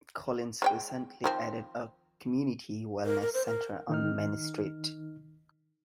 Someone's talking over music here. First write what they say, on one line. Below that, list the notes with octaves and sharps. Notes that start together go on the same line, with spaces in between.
Collins recently added a community wellness center on Main Street.
G#3 C#5 G5
D#3 F3 C4
A#4
A#4
C5
A#4
D#3 D#4 F6